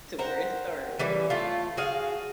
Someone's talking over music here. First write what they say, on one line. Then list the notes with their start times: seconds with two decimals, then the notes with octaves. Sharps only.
to where it started.
0.19 A#4 C5 F#5 G5
0.99 E3 G3 C#4
1.30 A3 F4
1.77 F#4 G#4 F5